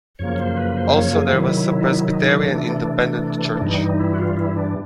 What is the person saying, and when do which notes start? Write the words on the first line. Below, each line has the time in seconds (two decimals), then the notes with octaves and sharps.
Also there was a Presbyterian Independent Church.
0.19 F#2 C#3 F3 A#3 C#5
0.38 C5
0.57 B4
0.77 C5
0.96 C#5
1.15 G#4
1.33 C3 D#3 F#3 E4
1.81 D#4
1.91 E4
2.09 D#4
2.28 D4
2.47 C3 E3 A3 D4
3.61 G2 E3 G3 D#4
3.81 D#4
3.99 E4
4.13 F#4
4.18 F4
4.37 E4
4.57 D4